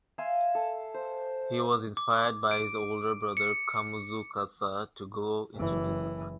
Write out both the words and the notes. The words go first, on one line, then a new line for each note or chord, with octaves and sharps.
He was inspired by his older brother Kamuzu Kassa to go into music.
E5 F5 G#5 C6
A4
C5
D6
D7
C#7
F#1 E3